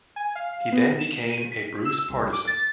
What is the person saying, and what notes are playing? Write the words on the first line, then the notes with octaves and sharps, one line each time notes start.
He then became a Bruce partisan.
G#5
F5
B3
E7
D#7
B6
E6
C2
D6
A6